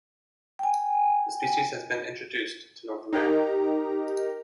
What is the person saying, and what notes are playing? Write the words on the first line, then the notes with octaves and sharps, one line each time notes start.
The species has been introduced to North America.
G5 G#5
D#4 G4 A#4 A#5